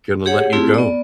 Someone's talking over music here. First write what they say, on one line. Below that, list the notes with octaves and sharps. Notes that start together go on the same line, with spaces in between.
gonna let you go,
G4 G#4 C#5 F#5
A3 C4 E4 F4 G4 G#4
B3 D5